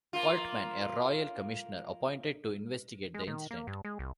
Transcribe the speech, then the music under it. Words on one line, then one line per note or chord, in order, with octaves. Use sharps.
Coltman, a Royal Commissioner appointed to investigate the incident.
A#3 F4
G#3
D#3
A#3
G2
G#3
C2